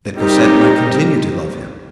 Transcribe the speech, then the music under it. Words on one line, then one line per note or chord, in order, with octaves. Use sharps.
That Cosette might continue to love him!
G3 C4 D#4 G4 A#4